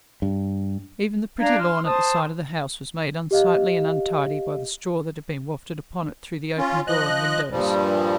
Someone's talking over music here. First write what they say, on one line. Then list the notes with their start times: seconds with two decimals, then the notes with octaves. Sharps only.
Even the pretty lawn at the side of the house was made unsightly and untidy by the straw that had been wafted upon it through the open door and windows.
0.22 G2
1.39 D4 F5 A#5 G#6
1.59 C6 F6
1.86 C5 A5 D#6
3.31 G4 D#5 F5
6.58 C#4 F4
6.88 F3 D#5 F#6
7.51 G2 A#2 F3 G3